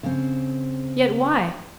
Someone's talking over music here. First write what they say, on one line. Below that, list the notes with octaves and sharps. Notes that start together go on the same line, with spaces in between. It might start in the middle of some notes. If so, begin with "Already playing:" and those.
Yet why?
C#3 C4